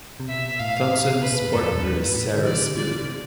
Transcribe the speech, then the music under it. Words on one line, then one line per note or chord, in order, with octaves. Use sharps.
Thomson's partner is Sarah Spiller.
C3
B2 E5
A2 F5
C3 B4
B2
A2
F2
G2 A4
F2
E2
E2 B4
F2
G2
A2
B2
D3
E3 D5
C3
D3
D3 D5
D3
C3